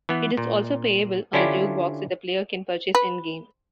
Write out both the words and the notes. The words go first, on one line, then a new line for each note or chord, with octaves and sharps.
It is also playable on the jukebox that the player can purchase in-game.
E3 B3
A#2
D3 C#4 D4 E4 F4 G4
B4